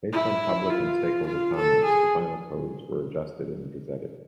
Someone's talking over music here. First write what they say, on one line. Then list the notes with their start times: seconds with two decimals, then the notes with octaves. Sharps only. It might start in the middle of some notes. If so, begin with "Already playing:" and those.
Based on public and stakeholder comments, the final codes were adjusted and gazetted.
0.13 E4
0.70 F4
1.27 F4
1.56 A4
1.84 G#4